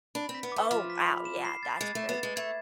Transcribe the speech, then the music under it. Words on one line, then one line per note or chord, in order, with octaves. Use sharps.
Oh, wow, yeah, that's great.
D4 B5
C4
B6
B3
A3 D6
F3 F6
B6
B5
E7
C7
A6
G#3 A6
A3 E7
B3
G#3 A6
A3 G#6